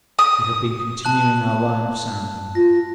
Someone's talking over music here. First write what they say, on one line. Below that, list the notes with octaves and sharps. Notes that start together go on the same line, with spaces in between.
We have been continuing our line of soundings.
D#6
A5 F#6 F#7
F4 A#6